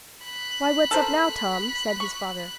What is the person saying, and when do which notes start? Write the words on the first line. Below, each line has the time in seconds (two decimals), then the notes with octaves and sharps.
"Why, what's up now, Tom?" said his father.
0.25 B5 F#6
0.91 A4 A#4 C5
2.00 C#6